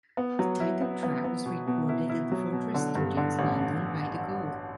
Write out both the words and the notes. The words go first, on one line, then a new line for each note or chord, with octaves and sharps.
The title track was recorded at The Fortress Studios, London, by The Go!
B3
F#3
E4
B3
B3
B3
B2
B2
E4
E4
F#3
B2
D3
G2
D3
A1